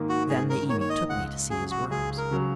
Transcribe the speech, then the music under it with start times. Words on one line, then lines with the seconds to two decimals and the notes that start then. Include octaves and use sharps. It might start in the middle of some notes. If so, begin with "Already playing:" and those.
Then Niimi took me to see his worms.
Already playing: G#2 D#3 A#3
0.09 F#4
0.29 G#2 G#4
0.49 A#4
0.69 D#3 A#3 C#5
0.81 C#5
0.89 D#5
1.10 C#2 F#5
1.50 C#3 F#3 G#4
1.71 F#4
1.90 C#2 G#4
2.18 A#4
2.31 C#3 F#3